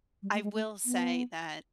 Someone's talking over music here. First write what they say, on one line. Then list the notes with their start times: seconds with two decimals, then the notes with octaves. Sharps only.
I I will say that
0.23 G3
0.34 A3
0.43 G#3
0.54 A3
0.86 B3